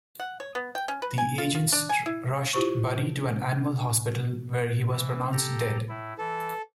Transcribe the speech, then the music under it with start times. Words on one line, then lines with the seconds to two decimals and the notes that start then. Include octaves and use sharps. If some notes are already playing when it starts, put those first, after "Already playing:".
The agents rushed Buddy to an animal hospital where he was pronounced dead.
0.20 F#5
0.40 C#5
0.55 B3
0.75 G5
0.88 C#4
1.02 B4
1.18 G#5
1.38 F4
1.55 F4
1.72 D4
1.89 G#5
2.06 E4
2.53 E4 F4 G4 C5 C#6
4.89 E3
5.32 G4 A4 A#5
5.89 A2 E4
6.18 E3 A4